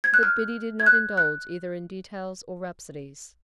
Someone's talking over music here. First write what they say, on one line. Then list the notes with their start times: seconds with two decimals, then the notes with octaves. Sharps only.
But Biddy did not indulge either in details or rhapsodies.
0.04 G#6
0.14 F#6
0.23 F6
0.80 G#6
0.86 F#6
1.17 F#6